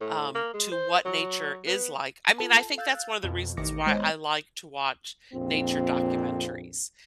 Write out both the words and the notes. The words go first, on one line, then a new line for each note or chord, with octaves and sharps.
um, to what nature is like I mean, I think that's one of the reasons why I like to watch nature documentaries.
A2
A#3
G#3
C5
F#3
B3
F4 A4 A5
F5 E6 F#6 G6 A6
F2 B2
A1 D#3 D#4 D6 A#6 C#7
G#3 B3 C5 C#5 D#5
A#1 F2 A#2 C4